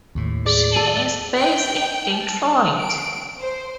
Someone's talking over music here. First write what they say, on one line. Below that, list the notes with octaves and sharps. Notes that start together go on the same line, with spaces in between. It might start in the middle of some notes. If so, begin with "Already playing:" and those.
She is based in Detroit.
D#2 A2
G#4 D5
A4
G5
A5
D7
C5